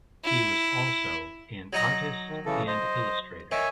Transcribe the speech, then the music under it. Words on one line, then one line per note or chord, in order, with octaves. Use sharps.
He was also an artist and illustrator.
E4
F#3 D#4 A#5
D#3
C#3 E3 A4
C5 D#5
D#3 C#5 E5 G#5